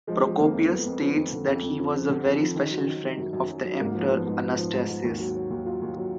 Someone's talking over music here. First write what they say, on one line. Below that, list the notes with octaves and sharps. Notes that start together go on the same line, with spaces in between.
Procopius states that he was a very special friend of the Emperor Anastasius.
F3 G#3
F3
F2 A#3
F2
F2 B3
F2
F3
F2
D3
F2
F2
F3
F3
D3
F2
F3
D#3
F#3
D#3
D#3
F#2
F#2
F#3
F#3
G#2 A#3
F3
F3 B3
G#2
F3
F3
G#2
G#2
D#2
F#3
F#3
D#2
F#3 F4
D#2
F#3